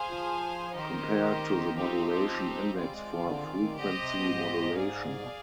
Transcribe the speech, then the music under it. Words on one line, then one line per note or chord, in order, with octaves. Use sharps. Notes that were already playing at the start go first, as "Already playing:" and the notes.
Compare to the modulation index for frequency modulation.
Already playing: G#4 C5 F5 G#5
F3
D#3 D#4 G4 C5 D#5
F3 C4 D#4 G4 C5
G3 C4 F4 G#4 D5
G#3
F3
D3
D#3
D#3
D3 G4 C5 D#5
C3
B2
G#2
G#4 D5 F5
B2